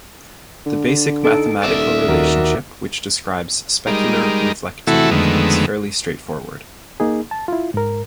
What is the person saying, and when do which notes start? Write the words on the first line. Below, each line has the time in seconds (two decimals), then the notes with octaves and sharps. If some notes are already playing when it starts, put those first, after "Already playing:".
The basic mathematical relationship which describes specular reflectivity is fairly straightforward.
0.66 D3
1.24 D#4 A4 D7
1.63 D#1 D5 E5
2.09 D#2 F#4 A#4
3.87 G3 G#3 D#4 A#4
4.87 C3 E3 A3 E4 F#4 A4
5.11 F2 D3 D#3 G#3 A3 B3
7.00 A#3 D#4 G#4
7.31 A5
7.48 E4 F4
7.74 G#2 A#4